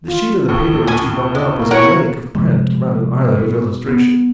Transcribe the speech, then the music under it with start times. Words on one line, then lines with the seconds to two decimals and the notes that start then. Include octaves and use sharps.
The sheet of the paper which he held up was a lake of print around an islet of illustration.
0.08 F4
0.48 A#1 D#2 A2
0.87 A4 G#5
1.35 G#3
1.59 A#3 A#4
1.71 A#3 C#4 E4 A#4 C#5 F#5 A#5
2.35 C3 F3 G#3
3.36 B2
3.88 B3